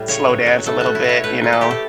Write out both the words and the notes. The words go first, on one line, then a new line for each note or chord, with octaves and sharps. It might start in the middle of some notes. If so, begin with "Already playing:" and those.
slow dance a little bit, you know,
Already playing: A2 G3
C#3 C#5
F#3
F#3
A3 A4
F#4
A3
E4
B2 C#5
A3 B4
A3
A4
A3 G4
A4